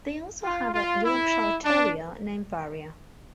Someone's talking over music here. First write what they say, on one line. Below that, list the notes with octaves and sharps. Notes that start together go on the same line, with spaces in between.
They also have a Yorkshire Terrier named Varia.
F4
F4
E4
D4